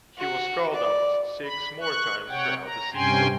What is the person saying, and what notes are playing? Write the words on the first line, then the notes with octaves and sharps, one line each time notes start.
He was called up six more times throughout the season.
F#4
D5
B5
C#6 F#6
C3 C#5 F#5 G5
A#5
G2 C3 C#4 G5 G#5 C6